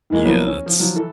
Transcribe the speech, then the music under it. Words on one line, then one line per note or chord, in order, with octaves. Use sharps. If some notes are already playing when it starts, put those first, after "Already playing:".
Yeah, that's
D#3 E3 G#3 A#3
F3 F#3 A#3 B3 C#4 E4
C#4
F3
F3 F#3
E3 E4 A4